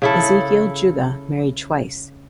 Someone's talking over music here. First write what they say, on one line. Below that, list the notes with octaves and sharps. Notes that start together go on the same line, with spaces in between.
Ezekiel Judah married twice.
C#3 E4 A4